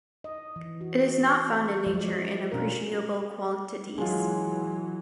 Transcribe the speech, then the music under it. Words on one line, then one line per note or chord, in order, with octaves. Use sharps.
It is not found in nature in appreciable quantities.
D#5
E3
F#4
F3 F#3 G#3 D5
B2 C#4 D4 F4 A#4
E3 F#3 G#3 F4